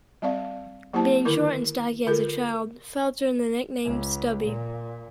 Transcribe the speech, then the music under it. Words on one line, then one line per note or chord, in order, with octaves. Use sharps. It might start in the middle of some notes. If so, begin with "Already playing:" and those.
Being short and stocky as a child, Fouts earned the nickname "stubby".
G3 C4 D5 F5
F#3 A#3 E4 G4 C5 A5
D3 D#3 E4 A#4 D6
D3 F4 A4 A#4
C#2
A#2